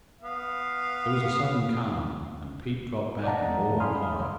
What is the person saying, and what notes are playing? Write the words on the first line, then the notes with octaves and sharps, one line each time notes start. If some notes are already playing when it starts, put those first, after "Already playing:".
There was a sudden calm, and Pete dropped back in awe and horror.
B3 F5
D5 D#5 F5 F#5 A5 A#5
F5 G#5 B5 C6 D#6 F6